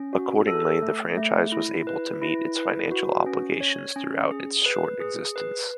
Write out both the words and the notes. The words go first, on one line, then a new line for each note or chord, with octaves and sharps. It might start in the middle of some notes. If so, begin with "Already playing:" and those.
Accordingly, the franchise was able to meet its financial obligations throughout its short existence.
Already playing: C#4
F#4
A4
A3
A3
E4
B4
E4
B4
F#4
C#4
C#5
C#4
G#4
B4
G#4
B4